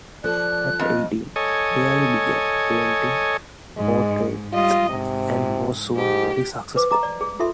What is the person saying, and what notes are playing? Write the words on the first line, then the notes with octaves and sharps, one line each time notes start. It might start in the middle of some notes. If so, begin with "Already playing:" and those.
At eighteen, Healy began painting portraits, and was soon very successful.
F3 A4 D5 F#6
F2 D#5
A4 C#5 D#5 G#5
G#2 G#3
G3 F4 D#5
G#2 C3
G#2 G4
B4 C5 D6
D#5 A#5 D6
D5
G#4
F4 A4 E5 C6